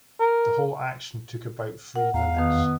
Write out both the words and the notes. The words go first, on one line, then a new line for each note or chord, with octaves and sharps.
The whole action took about three minutes.
A#4
A#4 F#5
E2 F5 A#5
F2 D#3 B3